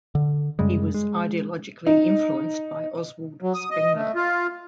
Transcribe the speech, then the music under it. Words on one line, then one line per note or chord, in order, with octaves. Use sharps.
He was ideologically influenced by Oswald Spengler.
D3
F#2 C#3 G3 G#3
G#3
D#4
F#3
D#6
D#5
A3
F4